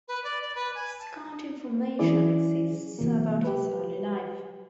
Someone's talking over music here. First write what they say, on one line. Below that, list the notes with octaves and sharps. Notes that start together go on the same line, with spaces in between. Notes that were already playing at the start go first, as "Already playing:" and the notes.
Scant information exists about his early life.
B4
D5
D5
B4
G#5
A5
E3 F#3 C#4 E4 G#4 D5
C2 C3 E3 F#3 A#3
G4 B4